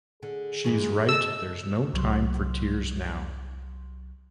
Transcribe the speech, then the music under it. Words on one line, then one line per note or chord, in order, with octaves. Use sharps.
She's right; there's no time for tears now.
D3 G#4
G#2 E3 G#3
A4 D#5 E6
C2 F#3 C6